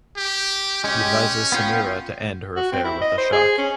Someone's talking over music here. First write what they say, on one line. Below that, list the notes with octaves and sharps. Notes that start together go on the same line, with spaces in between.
He advises Sameera to end her affair with Ashok.
G4
G#3 C#4 G4
B3 F4 G5
F#4
C4
E4
D#5
C5
G#4
C#4